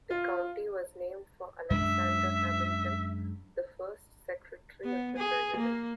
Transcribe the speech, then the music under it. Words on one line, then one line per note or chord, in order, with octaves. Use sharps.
The county was named for Alexander Hamilton, the first Secretary of the Treasury.
F4
F#2 G#3 D4 E5
B3
G#4
A#3